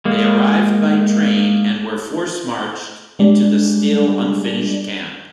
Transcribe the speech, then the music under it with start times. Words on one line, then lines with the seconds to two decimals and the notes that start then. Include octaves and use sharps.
They arrived by train and were force-marched into the still-unfinished camp.
0.05 G#3 A#3
3.19 G3 G#3 D4